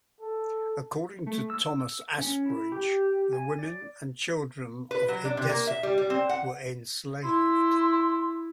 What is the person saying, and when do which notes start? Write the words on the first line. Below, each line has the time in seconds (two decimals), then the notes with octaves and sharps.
According to Thomas Asbridge, the women and children of Edessa were enslaved.
0.21 A4
1.26 A3
1.50 E6
2.18 C#4
2.46 E4
2.72 G4
3.33 G#5
3.59 D5
4.91 B4
5.08 F#3
5.25 D4
5.37 C3
5.49 A#3
5.67 E5
5.83 G3
5.98 G3
6.10 C4
6.29 F#5
7.23 E4 C6